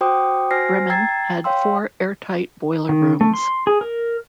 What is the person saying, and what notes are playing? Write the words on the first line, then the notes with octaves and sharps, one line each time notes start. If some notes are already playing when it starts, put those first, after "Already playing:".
"Bremen" had four airtight boiler rooms.
F#4 C5 G5 D6 D#6
F#4 C5 G#5 F6 A#6 C7
G5 A#5 E6 G#6 A6 C7
C#5 F5 G5 C6 E6
D#3
A3
C6
G#4
A#4